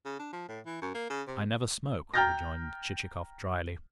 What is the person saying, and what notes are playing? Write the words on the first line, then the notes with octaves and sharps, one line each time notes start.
"I never smoke," rejoined Chichikov drily.
C#3
D4
F3
A2
E3
F#2
A#3
C#3
C3
G5 A#5 F6 G6 A6 A#6